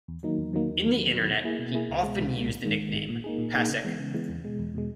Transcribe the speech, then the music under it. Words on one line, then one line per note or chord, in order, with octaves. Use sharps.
In the Internet he often used the nickname Pacek.
E2
D#3 F#3 A#3 D#4
E2
D#3 F#3 A#3 D#4
E2
D#3 F#3
E2
D#3 F#3
B2
A#3 E4 G#4
B2
A#3 E4 G#4
C#2
B2 G#3
C#2
B2 G#3
G#1
G#2 D#3 G#3
G#1
G#2 D#3 G#3
A#2
A#3 D#4 G#4
A#2
A#3 D#4 G#4
C#3
E3 G#3 B3
C#3
E3 G#3 B3
E2
B2 G#3
E2
B2 G#3